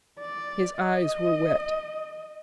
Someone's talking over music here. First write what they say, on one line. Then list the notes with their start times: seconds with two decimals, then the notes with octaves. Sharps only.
His eyes were wet.
0.20 D5
0.79 D#5